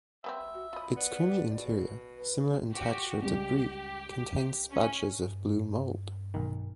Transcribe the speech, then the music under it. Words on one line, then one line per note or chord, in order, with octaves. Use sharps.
Its creamy interior, similar in texture to Brie, contains patches of blue mold.
G3 B3 C4 E5
F#4
F4 D#5 B5
B3 D5
B2
B4
F#4 G4
C#2 G3 G4
C#4
G2
B1 D#3